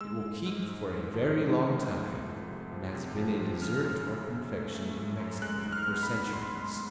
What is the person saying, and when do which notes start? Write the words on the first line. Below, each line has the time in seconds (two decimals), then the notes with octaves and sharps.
It will keep for a very long time and has been a dessert or confection in Mexico for centuries.
0.01 G#3 E6
0.23 G#3
0.46 G#2
0.68 G#2
0.91 G#2
1.14 F3
1.36 G#3
1.59 G#3
1.82 A3
2.04 C2
2.27 F3
2.49 C3
2.72 F3
2.94 C3
3.17 F3
3.40 F3
3.62 C#3 F6
3.84 F#2
4.07 F#2
4.29 F#2
4.53 A3
4.75 A3
4.97 F#2
5.20 F#2
5.42 G#3 F#6
5.65 G#2
5.72 F6
5.88 B3
6.03 B5
6.10 B3
6.33 G#3 C6
6.55 G#3